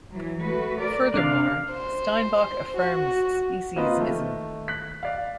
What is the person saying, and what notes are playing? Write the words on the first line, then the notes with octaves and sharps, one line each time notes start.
Furthermore, Steinbock affirms speciesism.
E3 F#3
A3 F#4 B4
A#4 D5
C3 D4 F5
C5
F#4
A#3 C4 F4 B4 D#5
D#3 A3
F#6 B6
D5 F5